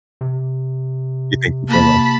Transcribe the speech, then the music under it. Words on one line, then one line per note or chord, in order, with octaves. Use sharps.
You think the same way?
C3
A#3 A5 B5